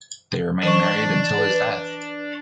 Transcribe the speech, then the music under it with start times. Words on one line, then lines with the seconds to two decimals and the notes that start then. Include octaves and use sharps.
They remained married until his death.
0.63 E3 D4 C5 C#6
1.38 B4